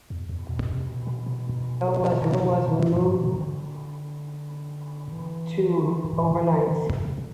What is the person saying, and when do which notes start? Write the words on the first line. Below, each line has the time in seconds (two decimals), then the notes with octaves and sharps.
Bonnell was moved to overnights.
0.10 E2
0.29 E2
0.49 B2
0.68 C3
0.87 B2
1.07 B2
1.26 B2
2.80 B2
2.97 G2
3.06 A2
3.14 B2
3.23 C3
3.32 D3
5.13 E3
6.67 D3
6.86 C3
7.05 C3
7.18 C3